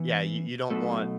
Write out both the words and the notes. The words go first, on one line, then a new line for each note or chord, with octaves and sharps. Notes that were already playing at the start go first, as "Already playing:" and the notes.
yeah, you you don't want
Already playing: E3 B3
B1 B2 A3